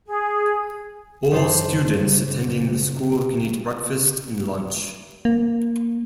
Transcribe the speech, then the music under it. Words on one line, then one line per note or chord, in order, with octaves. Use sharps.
All students attending the school can eat breakfast and lunch.
G#4
F#1 C#3 D#4 C5 A5 C7
A#3